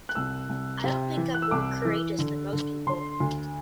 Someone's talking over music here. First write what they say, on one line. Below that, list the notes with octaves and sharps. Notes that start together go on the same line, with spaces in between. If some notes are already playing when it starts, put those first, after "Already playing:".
I don't think I'm more courageous than most people.
F#6
C2 E6
C2
C3
E3
F#6
E6
C2 D6
E3
D3
D3
D3 C6
D2